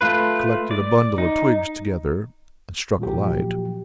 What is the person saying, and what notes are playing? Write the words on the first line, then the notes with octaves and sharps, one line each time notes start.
He collected a bundle of twigs together and struck a light.
A3 F4 B4
D5
D#4
A#2 F3 F#3 G4